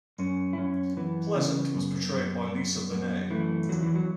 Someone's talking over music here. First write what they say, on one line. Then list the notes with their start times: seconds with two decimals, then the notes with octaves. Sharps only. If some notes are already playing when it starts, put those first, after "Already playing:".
Pleasant was portrayed by Lisa Bonet.
0.19 F#2 C#4
0.53 E4
0.58 F#2 C#4
0.97 E3 B3
1.36 C#3 B3
1.74 F#2
2.14 F#2
2.52 F#2
2.92 F#2
3.31 E3 A3
3.69 E2 F#3
3.83 E3
3.95 F#3